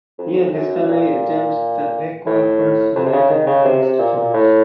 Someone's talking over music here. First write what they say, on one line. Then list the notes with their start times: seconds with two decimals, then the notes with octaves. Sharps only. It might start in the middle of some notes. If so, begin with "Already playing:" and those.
He and his family attend Tahlequah First United Methodist Church.
0.19 F2
0.53 F#2
0.88 A#2
2.26 A2
2.95 F2
3.06 C3
3.12 C#3
3.29 D#3
3.47 C#3
3.65 C3
3.82 C3
3.99 A#2
4.16 A#2
4.33 A2